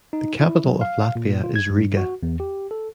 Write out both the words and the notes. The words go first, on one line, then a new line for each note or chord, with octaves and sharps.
The capital of Latvia is Riga.
D#4
E4
F#3
F5
A#2
F4
G#6
G2
F#4
E2
G4
A4